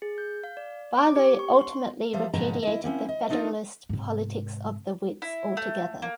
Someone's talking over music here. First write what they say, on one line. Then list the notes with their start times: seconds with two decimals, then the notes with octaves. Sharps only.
Barlow ultimately repudiated the Federalist politics of the Wits altogether.
0.02 G#4
0.18 G6
0.44 F5
0.57 D5
0.98 D6
1.16 G4
1.39 C#6
1.59 C6
2.13 F3 G3 C5 E5 F5
2.33 G#2 B2 D3 F3 D#5 A#5
2.63 E4 D#5
2.84 A#3 C4 C#4 E4
3.09 D#5
3.29 A3 D4 D#4 F4 A4 A#4
3.89 G#2 C3
5.22 E4
5.57 A3
6.02 A#3